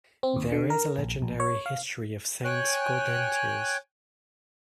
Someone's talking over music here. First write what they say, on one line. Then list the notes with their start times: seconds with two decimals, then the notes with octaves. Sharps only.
There is a legendary history of Saint Gaudentius.
0.23 C4
0.36 D#2
0.52 D3
0.70 A#4
0.98 A#1
1.22 A#1
1.40 C#5
1.66 F5
2.44 C#5 G5 G#5 F#6